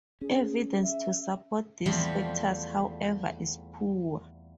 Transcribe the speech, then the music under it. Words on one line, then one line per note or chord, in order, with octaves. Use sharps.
Evidence to support these factors however is poor.
C#4 G#4
E5
E2 F3 G3 A3 C4